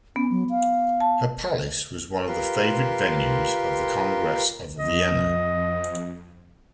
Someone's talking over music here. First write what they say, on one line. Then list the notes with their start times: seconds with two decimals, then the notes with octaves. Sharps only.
Her palace was one of the favourite venues of the Congress of Vienna.
0.16 B3 C#4
0.31 F#3
0.50 F5
1.00 A5
2.27 F4 G4 A#4 B4 C6
4.79 F2 D#5